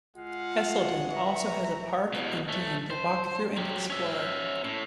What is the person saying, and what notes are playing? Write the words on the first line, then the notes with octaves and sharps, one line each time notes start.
Hesleden also has a park and Dene to walk through and explore.
G#3 F4 F5 F#5
B4 E5 A#5 C#6
E2 B2
A3 C#4
C5
F#3 G4
C#4 E5
A2